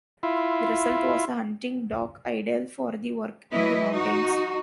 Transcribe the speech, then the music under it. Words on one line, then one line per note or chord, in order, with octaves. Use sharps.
The result was a hunting dog ideal for the work in the mountains.
E4 F4
E3 F#3 E4 B4 D#5
D#4 F#4